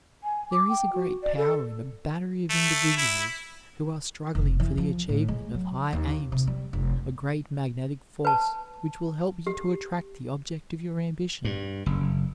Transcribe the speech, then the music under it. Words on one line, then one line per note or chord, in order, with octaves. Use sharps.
There is a great power in a battery of individuals who are struggling for the achievement of high aims, a great magnetic force which will help you to attract the object of your ambition.
G#5
D6
G5
F#4
D5
A4
A3
E4
F1
E3
F3
A2
G#3
F#3
D#2
C3
G3
F1
B4 A5
G4
G2
F#1